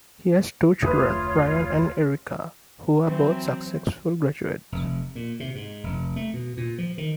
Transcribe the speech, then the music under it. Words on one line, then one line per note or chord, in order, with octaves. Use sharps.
He has two children, Ryan and Ericka who are both successful graduates.
F1 D2 A3 F4 B4 C#5 D#6
E3 F#3 C4
F1
A#2
C3
G#2
F1
A3
B2
A#2
F3
D#3